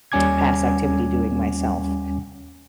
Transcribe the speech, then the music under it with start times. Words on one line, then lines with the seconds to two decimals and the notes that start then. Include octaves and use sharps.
past activity doing myself,
0.12 D#2 G3 C#4 G#5 D6 G#6